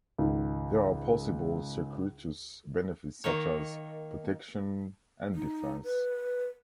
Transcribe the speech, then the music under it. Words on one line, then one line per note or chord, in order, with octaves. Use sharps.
There are possible circuitous benefits such as protection and defense.
C#2 G#2 D#3
D#3 A#3 C#5
D#4
B4